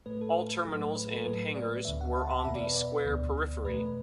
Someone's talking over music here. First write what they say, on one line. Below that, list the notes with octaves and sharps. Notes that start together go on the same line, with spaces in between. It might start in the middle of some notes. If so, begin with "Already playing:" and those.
All terminals and hangars were on the square periphery.
A2 A3 B4
A4
B4
A2 F#3 A3
B4
A4
A2 F#3 A3 B4
D5
D2 D3 B3 E5
F#5
A5
B5
E2 B2 B3 E5
D5
B4
D5
D2 D3 B3
E2 B2 A3 B4